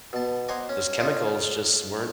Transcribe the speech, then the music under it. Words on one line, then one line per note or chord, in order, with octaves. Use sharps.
those chemicals just weren't
B2 A5
C5 D#5 F#5 G#5 A#5 D6
C#4
C#4 D#4 F4